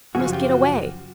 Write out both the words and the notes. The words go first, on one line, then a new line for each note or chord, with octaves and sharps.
He must get away.
F#2 C#3 F3 F#4 G#4
F#4
F4 G4
F#4